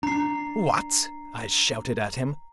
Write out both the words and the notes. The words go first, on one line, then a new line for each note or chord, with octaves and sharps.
"What!" I shouted at him.
D4 A#5 C7